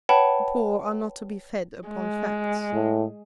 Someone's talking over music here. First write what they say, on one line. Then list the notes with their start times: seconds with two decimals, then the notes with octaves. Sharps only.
The poor are not to be fed upon facts.
0.09 B4 C#5 F#5 G5 A5 B5
1.88 G#3
2.73 A2